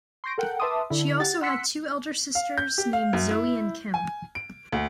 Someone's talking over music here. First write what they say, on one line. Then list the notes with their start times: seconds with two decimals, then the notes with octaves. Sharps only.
She also had two elder sisters named Zoe and Kim.
0.24 C6 C#6 G6 A#6 D7
0.38 A4 A#4 F#5 G5
0.60 B4 E5 A5 C6 D6 D#6
0.90 D3 E4
1.19 G4 F#5 A6
1.42 F#5 C6 E6 F#6 B6 C#7
2.35 F5
2.58 G6
2.78 G4
2.93 F5
3.13 F#2
3.30 E4
3.94 G#5
4.35 D7
4.72 D2